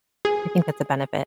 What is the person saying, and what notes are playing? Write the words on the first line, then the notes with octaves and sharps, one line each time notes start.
I think that's a benefit.
G#4